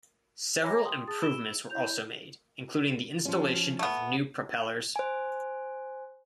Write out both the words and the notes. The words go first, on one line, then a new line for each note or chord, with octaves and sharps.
Several improvements were also made, including the installation of new propellers.
C#5 G#5 A#5 B5 D6 A#6
G5 C6 D#6
G#4 A5 D#6 A6
B5 E6 D7 E7 G7
E4 C#5 G6 F7
F3 C#4
A3 B3
C5 G#5